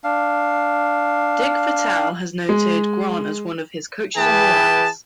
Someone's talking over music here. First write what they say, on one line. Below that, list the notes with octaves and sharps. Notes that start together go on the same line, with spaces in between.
Dick Vitale has noted Grant as one of his "Coaches on the Rise".
D4 F5
G#3
E3 G#4 B4 G5 A5